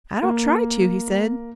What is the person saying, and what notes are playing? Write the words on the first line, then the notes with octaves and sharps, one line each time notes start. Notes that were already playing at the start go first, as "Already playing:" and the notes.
"I don't try to," he said.
A#3